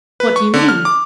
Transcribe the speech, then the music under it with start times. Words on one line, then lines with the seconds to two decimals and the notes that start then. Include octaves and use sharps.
"What do you mean?"
0.20 B4
0.36 C#6
0.54 D3
0.69 F6
0.85 D6